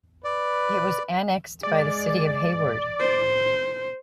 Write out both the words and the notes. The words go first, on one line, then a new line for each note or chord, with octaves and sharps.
It was annexed by the City of Hayward.
B4 D5
G#3 D5
C5